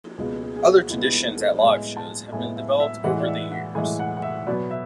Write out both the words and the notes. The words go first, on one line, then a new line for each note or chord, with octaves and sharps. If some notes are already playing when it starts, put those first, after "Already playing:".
Other traditions at live shows have been developed over the years.
C#2 B2 G#3 B3 G#4
G#4
G#4
F#4
C#2 B2 G#3 B3 E4
G#4
A4
A2 G#3 B3 G#5
A5
A2 G#3 B3 G#5
E5
E5
A2 E3 G#3 F#5
D5
E5
F#5
A2 E3 G#3 G#5
F#5
F#5
E5
B2 F#3 B3 D5
E5